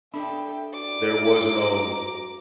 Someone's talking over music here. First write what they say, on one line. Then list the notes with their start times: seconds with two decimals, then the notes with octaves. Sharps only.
there wasn't, um
0.14 D4 A4 E5 G5 B5
0.74 F#4 D5 D6
1.47 A#5